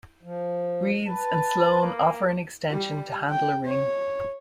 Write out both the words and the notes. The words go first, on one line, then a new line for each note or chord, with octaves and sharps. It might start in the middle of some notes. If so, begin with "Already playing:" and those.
Reeds and Sloane offer an extension to handle a ring.
F3
B4 A5
A#3
G3
G5
C#5